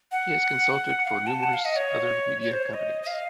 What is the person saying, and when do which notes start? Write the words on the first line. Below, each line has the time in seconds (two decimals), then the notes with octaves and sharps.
He has consulted for numerous other media companies.
0.11 F#5
1.05 F5
1.10 F#5
1.27 A5
1.43 F#5
1.53 F5
1.65 D#5
1.76 C#5
2.41 C#5
2.52 C5
2.63 C#5
2.74 D#5
3.03 D#5
3.07 F5